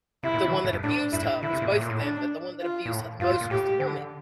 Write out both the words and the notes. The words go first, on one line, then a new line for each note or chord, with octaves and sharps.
the one that abused her was both of them, but the one that abused her the most was the woman,
C3 E4
A#2
C3
E3
D3
A2
G2
A2 D4
G2 E4
A2
D3 E4
C3
A#2
A2
A#2
A2
D4
F4
A#2
A2
G2 F4
A2
A#2
A2 G4
D3